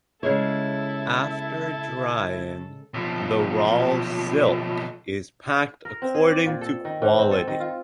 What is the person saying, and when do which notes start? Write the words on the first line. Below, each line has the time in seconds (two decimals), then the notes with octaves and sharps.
After drying, the raw silk is packed according to quality.
0.23 C#3 G#3 E4 A4 C#5
2.94 B1 F3
5.85 A#4
6.02 C4
6.15 G#4
6.30 D5
6.46 A#2
6.61 A4
6.85 D#3
7.02 G#2
7.19 C4
7.31 A4
7.47 D#3
7.60 F4